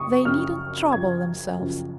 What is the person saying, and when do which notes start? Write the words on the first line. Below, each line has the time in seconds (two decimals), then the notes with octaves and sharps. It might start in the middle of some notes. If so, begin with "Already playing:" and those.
They needn't trouble themselves!
Already playing: F#2 C#3 C#6 D#6
0.25 F#2 C#3 F3 F6
0.92 F#2 C#3 F3 G#6
1.59 F#2 C#3 F3